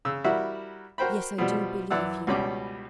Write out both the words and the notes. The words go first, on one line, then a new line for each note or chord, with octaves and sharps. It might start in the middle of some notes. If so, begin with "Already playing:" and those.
'Yes, I do believe you.
C#3 E6
G3 E4 F#4 A#4 E5
F#4 A#4 C5 G5 B5
B2 F3 G3
F#2 E3 E4 D5 F#5 E6
C#2 B2 G3 C#4 B5 D6